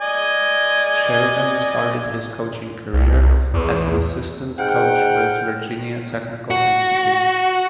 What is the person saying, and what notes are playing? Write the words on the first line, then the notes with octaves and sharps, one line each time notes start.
Sheridan started his coaching career as an assistant coach with Virginia Technical Institute.
D5 D#5 G#5
C2
E2
G#2 F#5 G5 F6
F#4